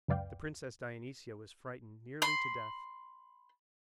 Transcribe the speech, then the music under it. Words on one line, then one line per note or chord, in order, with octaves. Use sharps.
The princess Dionysia was frightened nearly to death.
C#2 F#2 B4 D5 F5 G5
B5 C6